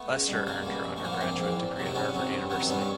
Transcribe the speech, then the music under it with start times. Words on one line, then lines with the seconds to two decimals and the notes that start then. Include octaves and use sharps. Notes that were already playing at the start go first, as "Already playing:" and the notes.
Lester earned her undergraduate degree at Harvard University.
Already playing: A3 B3
0.09 C#2
0.27 B2 G3
0.47 C#2 G#3 A#3
0.65 B2 G3
0.84 A#1
0.97 A3
1.03 G#2 E3 A#3
1.12 B3
1.21 A#1 A#3 C4
1.39 G#2 E3
1.58 E2
1.76 C3 D#3 F#3
1.86 C4
1.95 E2 B3 C#4
2.14 C3 D#3 F#3
2.33 G2
2.50 D#3 F#3 B3
2.59 C4
2.69 G2 B3 C#4
2.81 C#4